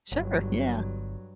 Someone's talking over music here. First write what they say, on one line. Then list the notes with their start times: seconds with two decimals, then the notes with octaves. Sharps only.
Sure, yeah.
0.12 G1 G2 F#3